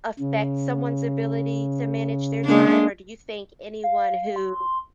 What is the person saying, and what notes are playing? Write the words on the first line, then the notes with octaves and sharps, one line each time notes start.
affect someone's ability to manage their time? Or do you think anyone who
C#3
G#3 A#3 D4
F5
C6